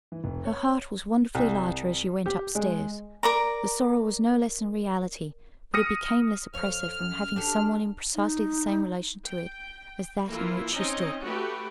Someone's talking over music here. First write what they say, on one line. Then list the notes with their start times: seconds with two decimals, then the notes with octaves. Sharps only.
Her heart was wonderfully lighter as she went up-stairs; the sorrow was no less in reality, but it became less oppressive from having some one in precisely the same relation to it as that in which she stood.
0.12 E3
0.24 F1
0.45 C#5
1.35 C2
2.26 G4
2.55 G#3
3.23 A#4 D5 A#5
5.74 D#6 F6 A#6 C#7 D#7
6.54 F2 C#5 F6
6.99 F#2
7.36 D4 G4 A4
8.15 D#4
9.26 G5
10.27 E3 A#3 E4 F4
10.71 C4 C#4 D#4 D#5
11.24 A3 F#4 G4 B4